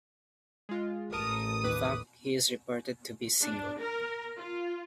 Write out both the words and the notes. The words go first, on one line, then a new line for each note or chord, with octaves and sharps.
In fact, he is reported to be single.
G#3 F4
A1 A#4 A5 D#6
D#2 B4 D6
D4
A#4
F4